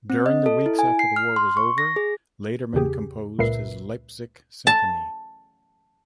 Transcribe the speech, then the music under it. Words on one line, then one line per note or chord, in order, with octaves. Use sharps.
During the weeks after the war was over, Laderman composed his Leipzig Symphony.
C4
D#5
A4
E4
G#5
C7
F6
C6
C#6
A#6
G#4
E2 C#3 G4 G#4
C#2 A#2 A#4 B4 E5 C7
A5